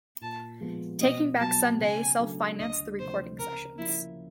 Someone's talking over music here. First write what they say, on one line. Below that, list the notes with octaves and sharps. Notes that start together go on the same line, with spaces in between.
Taking Back Sunday self-financed the recording sessions.
A#2 A5
F3 G#3 B3
B2 D#5
F#3 B3 A5
C#3 G#5
F#3 A3 D4
D2 D#5
C3 F3 A3 C5
C#3 A#4
F3 A#3 C#4 E4 F4